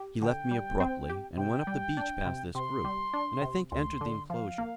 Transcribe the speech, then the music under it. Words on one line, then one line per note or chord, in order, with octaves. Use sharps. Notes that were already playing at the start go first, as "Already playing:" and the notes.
He left me abruptly, and went up the beach past this group, and I think entered the enclosure.
Already playing: G4
D3 G5
G3
C4
G4
C3 G5
G3
D4
C3
C3 C6
G3
D4
C3
D2 C6
D3
F3 F5
A#3